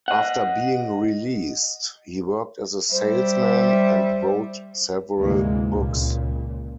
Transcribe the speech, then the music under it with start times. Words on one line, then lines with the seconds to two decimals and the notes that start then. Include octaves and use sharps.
After being released, he worked as a salesman and wrote several books.
0.08 D#5 F#5
2.92 G3 C5 E5
5.18 D2 G#2 C3 E3 G#3 A#3
5.69 C#2 A#2 C#3